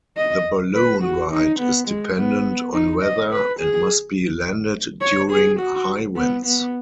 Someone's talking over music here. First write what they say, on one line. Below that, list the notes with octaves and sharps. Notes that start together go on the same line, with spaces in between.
The balloon ride is dependent on weather and must be landed during high winds.
D#5
B4
F#4
D#4
B3
G#3
B3
D#4
D#5
B4
G#4
C#5
G#4
F#4
B3
B3